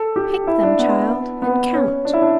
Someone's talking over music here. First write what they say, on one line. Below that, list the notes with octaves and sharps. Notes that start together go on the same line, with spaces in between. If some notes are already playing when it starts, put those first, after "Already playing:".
Pick them, child, and count.
Already playing: A4
G4
E4
D4
B3
B3
C#4
D4
E4
D4